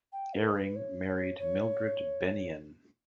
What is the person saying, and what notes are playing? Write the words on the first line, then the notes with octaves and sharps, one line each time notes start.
Eyring married Mildred Bennion.
G5
A#4
B4
C#5
C#5
C#5